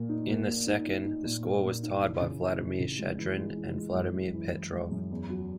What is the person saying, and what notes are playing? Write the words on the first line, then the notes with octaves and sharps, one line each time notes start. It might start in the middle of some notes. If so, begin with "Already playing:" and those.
In the second the score was tied by Vladimir Shadrin and Vladimir Petrov.
Already playing: A#2 A#3
D#4
A#3
A#3
D#4
D#4
D#4
A#2
A#3
A#2
D#4
E3
C#3
E3
C#3
C#3
G#3
E3
G#3
E3
G#3
F#2
G#3
E3
E3
G#3
F#2
E2
F#3